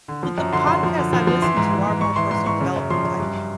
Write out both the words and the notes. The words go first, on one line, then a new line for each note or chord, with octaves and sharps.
Well, the podcasts I listen to are more personal development type
D3
F3
F#2
D3 C6
F#2 C6
F3
D3
F3
F3
E3 C6
G#2
E3
G#2
G#2 C#6
E3 C6
G#2 C6
G#2 C#6
C#3
F#2
F3 C6
F#2
G2